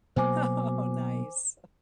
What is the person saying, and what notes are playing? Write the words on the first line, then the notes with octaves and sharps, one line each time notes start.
Oh, nice,
B2 F#3 A#3 C5 G#5 D6